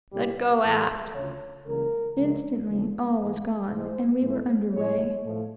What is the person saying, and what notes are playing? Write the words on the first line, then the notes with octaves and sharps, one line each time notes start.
"Let go aft!" Instantly all was gone, and we were under weigh.
C2 A#2 G3
A2 E3 G#3 A4
D2 C#3 F3 C#5
C#2 C#3 E3 G3 A#3 A#4
C#2 C#3 F3 G#3
E2 C#3 F3 A3
G#2 E3 G#3 B4
G#2 E3 G#3 C5
G#2 E3 A3
A2 F3 G#3 C#5
A2 F3 A3